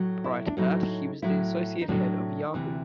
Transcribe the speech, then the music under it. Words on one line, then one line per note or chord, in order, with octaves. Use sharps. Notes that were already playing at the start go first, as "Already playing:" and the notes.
Prior to that, he was the Associate Head of Yahoo!
Already playing: A2 F#3 A3
E4
D4
A2 F#3 A3 D#4
A2 F#3 A3 E4
D#4
A2 F#3 A3 D4
D2 C3 E3